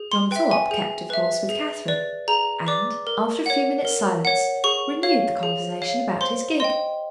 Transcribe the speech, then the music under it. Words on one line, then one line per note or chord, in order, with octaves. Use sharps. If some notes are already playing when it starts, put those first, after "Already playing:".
John Thorpe kept of course with Catherine, and, after a few minutes' silence, renewed the conversation about his gig.
Already playing: G#4
C6
B4 E5 G5
G#5
G#4
B4 E5
G#4
B4 D5
G#4 A#5
B4 D5 D6
A#4
C#5 F#5
A#4
C#5 F#5
G#4 C#6
C#5 F5
G#4
C#5 F5
C5 C6
D#5 G5 C6